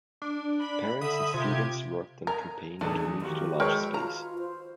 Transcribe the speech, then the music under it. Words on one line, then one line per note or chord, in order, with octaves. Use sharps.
Parents and students worked on a campaign to move to a larger space.
D4
B5
D3 E5 B5 D#6
C3 F4 G4 G#6
A#4 G#5 A#5
B1 E2 A2 D4 G#4
D#3 F3 F#4 G4
G#3 G#4 A#4 B4 C#5 G5 C#6 E6
F4 A#5 F6
C5